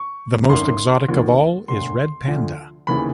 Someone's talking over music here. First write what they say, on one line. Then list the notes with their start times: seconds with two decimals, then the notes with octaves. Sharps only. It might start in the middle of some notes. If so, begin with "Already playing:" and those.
The most exotic of all is Red Panda.
Already playing: C#6
0.49 G#1 F#2 D3 C6
1.09 D#2 D3 F3
1.68 E1 D2 D3 C6
2.28 D2 D3 F3
2.87 F1 D#2 C#3 E3 B5